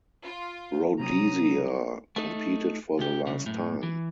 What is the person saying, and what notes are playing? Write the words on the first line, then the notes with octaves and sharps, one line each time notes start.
Rhodesia competed for the last time.
F4
C3 F#3 C#4 A#5 D#6
A3 D#4
C#2 G4
C2 C#3
F#2 A2
E3